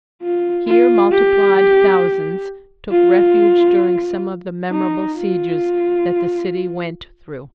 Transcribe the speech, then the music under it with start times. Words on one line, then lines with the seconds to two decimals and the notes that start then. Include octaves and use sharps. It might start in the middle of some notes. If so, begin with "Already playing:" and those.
Here multiplied thousands took refuge during some of the memorable sieges that the city went through.
0.23 F4
0.68 F4
1.12 G4
2.91 F4
4.71 D#4
5.16 F4